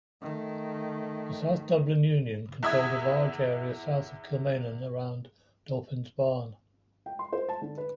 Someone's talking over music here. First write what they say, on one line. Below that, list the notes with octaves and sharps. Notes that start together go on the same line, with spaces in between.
The South Dublin Union controlled a large area south of Kilmainham around Dolphin's Barn.
D#3 A3
E2 E4 E5 D#6 G#6
G5
C6
C5
A5
D3
B4